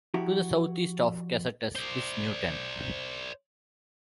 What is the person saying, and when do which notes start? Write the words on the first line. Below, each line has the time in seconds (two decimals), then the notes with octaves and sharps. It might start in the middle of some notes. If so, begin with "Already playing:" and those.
To the southeast of Casatus is Newton.
0.14 F3 E4 F#4 G4 A#5
1.76 C5 D5